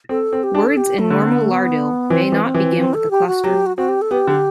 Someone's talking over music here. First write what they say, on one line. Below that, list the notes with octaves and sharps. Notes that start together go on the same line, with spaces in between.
Words in normal Lardil may not begin with a cluster.
C4 A4
C4
G4
D4
A4
G4
A3
D3
C4
B3
A3
B3
E3 C4
E3
C4
E3
C4
A4
G4
F#4
F#3 G4
F#4
C4 F#4
G4
A4
B3 G4
D3